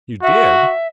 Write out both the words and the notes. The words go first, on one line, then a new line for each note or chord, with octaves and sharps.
"You did!"
F#4 E5